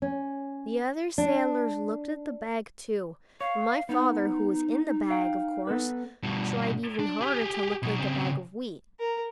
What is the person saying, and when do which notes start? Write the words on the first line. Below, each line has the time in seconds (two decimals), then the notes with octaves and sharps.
The other sailors looked at the bag too, and my father, who was in the bag, of course, tried even harder to look like a bag of wheat.
0.02 C#4
1.18 D4
3.41 C#5 F5
3.89 B3 D#4
5.10 F5 G5
5.67 B3 A4 B4
6.23 G2 B2
7.00 D4
7.21 G4 G#4
7.82 B2 F#3
7.99 C#3 C4
9.00 A#4